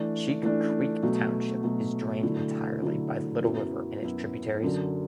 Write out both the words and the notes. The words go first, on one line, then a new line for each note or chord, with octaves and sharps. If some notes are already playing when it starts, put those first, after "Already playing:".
Cheek Creek Township is drained entirely by the Little River and its tributaries.
Already playing: E3 A3 D4
E3 A3 D4
B2 F#3 A3
B2 F#3 A3
D3 F#3 A3 E4
D3 F#3 A3 E4
F#2 F#3 B3 E4
F#2 F#3 B3 E4
F#2 D3 F#3